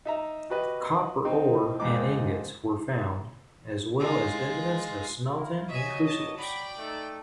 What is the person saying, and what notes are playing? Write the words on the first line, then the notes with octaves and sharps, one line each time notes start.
Copper ore and ingots were found as well as evidence of smelting in crucibles.
D#4 E5 A#5
F#4 G4 B4 D#5
C4 D#4
F2 G#2 D#4 D6
G#3 F4
E4 F4 A#4
F#3 D#5 E5 G#5
A5
F#3 D5 G5 B5
A3 D#4 A4